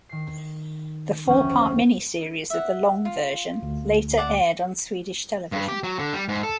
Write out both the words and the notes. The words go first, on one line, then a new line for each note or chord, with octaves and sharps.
The four-part miniseries of the long version later aired on Swedish television.
D#3 C7
F1 D2 C#4 G5
E5 F#5
F4
D2
D5 F#5 A5
G2
G4
F#3
D3
G3
G#2
A4